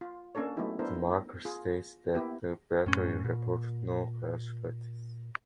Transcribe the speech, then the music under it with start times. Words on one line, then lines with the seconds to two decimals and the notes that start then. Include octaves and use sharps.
The marker states that the battery reported no casualties.
0.01 F4
0.35 A#3 C#4 D4 A4 C#5
0.56 F#3 A3 B3 D#4 E4 G4
0.79 B3 D4 E4 A4 A#4 C5
1.45 F4 G#4
2.15 A#3 B3 E4 G4
2.86 F#2 A2 C#4
3.24 A#2